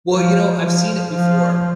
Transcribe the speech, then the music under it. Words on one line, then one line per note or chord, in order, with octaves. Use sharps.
Well, you know, I've seen it before
F3
F3
F3